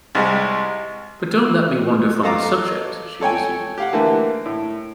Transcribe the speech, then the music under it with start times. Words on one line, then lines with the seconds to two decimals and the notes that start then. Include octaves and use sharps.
"But don't let me wander from the subject," she resumed.
0.15 C2 G3 G#3
2.23 A4 D#5 F5 A5 A#5 D6
3.21 A4 C#5 G5 G#5
3.78 G4 F5 F#5
3.93 D3 E3 A3 A#3
4.46 A2